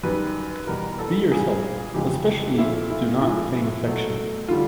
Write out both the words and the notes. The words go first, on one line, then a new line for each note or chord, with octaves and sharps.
Be yourself. Especially do not feign affection.
F#2 D#3 G3 B4
E2 B2 G3 A#4
A4
A#2 G3 G#4
F2 C#3 E3 G#3 G4
A#2 F3 A3 E4
E4
A2 F3 G#3
B2 F#3 A3
D3 G3 F4